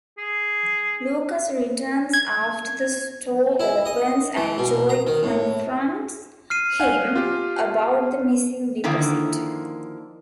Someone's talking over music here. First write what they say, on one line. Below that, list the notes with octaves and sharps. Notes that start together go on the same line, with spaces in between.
Lucas returns after the store opens and Joe confronts him about the missing deposit.
G#4
G#6
E4
D#5
E3
B2
A#5
D#3
A2
F6 C7 D#7
F5 F#5 G#5
F4 G4
D3 D#3 F3 A#3 E4